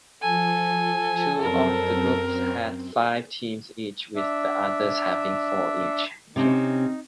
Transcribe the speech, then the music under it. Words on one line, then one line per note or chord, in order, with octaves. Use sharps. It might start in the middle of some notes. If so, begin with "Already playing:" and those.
Two of the groups had five teams each, with the others having four each.
F3 A4 G#5
F#2 C4 A#4
D4 E5
C3 C4 C#4 D#4